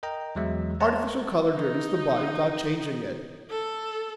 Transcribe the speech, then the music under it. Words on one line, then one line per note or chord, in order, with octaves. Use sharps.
Artificial color dirties the body without changing it.
A#4 D#5 G5 A#5
E2 F#3 G#3 E5
C5 C#5 F#5 A5 A#5
D#4
A4